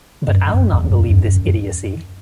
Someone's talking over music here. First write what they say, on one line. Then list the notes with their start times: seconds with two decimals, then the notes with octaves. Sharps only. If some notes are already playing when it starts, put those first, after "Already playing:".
But I’ll not believe this idiocy!
0.28 G2
0.36 F#2
0.54 F#2
0.73 E2
0.91 F#2
1.10 F#2
1.28 F#2